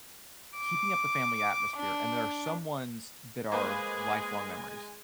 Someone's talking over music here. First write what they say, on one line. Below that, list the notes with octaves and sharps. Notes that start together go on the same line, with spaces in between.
keeping up the family atmosphere, and there are some ones that are lifelong memories.
D6
D4
G#3 A#3 G#4 B4 C5 G#5